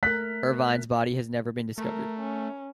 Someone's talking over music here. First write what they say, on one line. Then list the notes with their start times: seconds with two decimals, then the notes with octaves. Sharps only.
Irvine's body has never been discovered.
0.03 A3 A#4 F#6 B6
1.78 A3 A#4
2.20 C#4